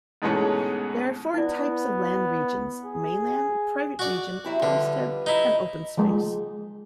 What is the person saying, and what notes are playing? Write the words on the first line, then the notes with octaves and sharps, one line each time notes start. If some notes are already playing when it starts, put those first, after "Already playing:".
There are four types of land regions; mainland, private region, homestead, and openspace.
G#2 B2 E3 G#3 A3 C#4
B3 E4 D5
G#4
F#4 D5
F#3 E4 G4
D3 F3 G3 B4
D#4 E4
F3 G#3